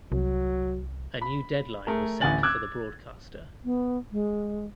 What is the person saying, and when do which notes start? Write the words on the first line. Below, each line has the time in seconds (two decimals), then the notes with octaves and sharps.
A new deadline was set for the broadcaster.
0.12 C2 F#3
1.21 B5
1.87 A3 G#4 A#4
2.21 A1 D2 F#5 G#5 A6 F#7
2.43 D6 E6 F#6 G#6
3.65 B3
4.12 G#3